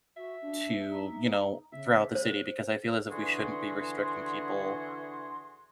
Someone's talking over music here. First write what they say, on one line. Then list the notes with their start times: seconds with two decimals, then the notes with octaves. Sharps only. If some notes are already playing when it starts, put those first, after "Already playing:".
to, you know throughout the city, because I feel as if we shouldn't be restricting people
0.17 F#4 E5
0.42 D4
0.89 D#4
1.73 C#3 E5
2.15 C5
3.11 D3 E3 F#4 G#4 C6